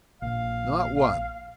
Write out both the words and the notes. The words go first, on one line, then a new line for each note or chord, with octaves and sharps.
Not one.
A#1 F5